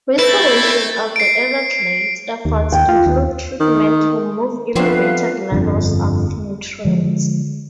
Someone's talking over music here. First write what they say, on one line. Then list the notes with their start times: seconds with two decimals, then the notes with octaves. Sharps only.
Restoration of the Everglades efforts include treatment to remove elevated levels of nutrients.
0.19 A3 C4 E4 A4 B4 A6
1.16 C7 D7
2.45 D#2
2.72 D#2 G5
2.89 F4
3.06 D#2
3.60 D#3
4.75 F3 A3 B3 C4 D4 B4 F5
5.52 G1 F2 D3
6.85 D3 F3 G#3